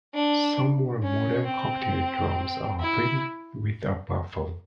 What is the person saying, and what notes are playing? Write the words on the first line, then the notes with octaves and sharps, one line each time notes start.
Some more modern cocktail drums are fitted with a baffle.
D4
C#4
C4
E4